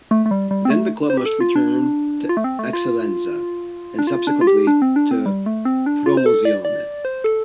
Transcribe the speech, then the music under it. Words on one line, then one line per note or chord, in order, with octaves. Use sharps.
Then the club must return to Eccellenza and subsequently to Promozione.
A3
A3
G3
G3
C4
A3
C5
G4
A4
F4
D4
F4
A3
C4
A3
F4
D4
F4
D4
F4
G4
D4
C4
D4
C4
G3
A3
C4
D4
F4
C5
A4
D5
D5
C5
A4